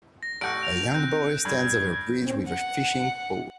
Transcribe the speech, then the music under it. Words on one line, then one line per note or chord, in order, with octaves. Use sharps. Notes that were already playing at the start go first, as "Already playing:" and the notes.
A young boy stands over a bridge with a fishing pole.
A#6
A1 F#5 C#6 G6 D7
F7
C4 F#6 G6
G2 G#6
F#5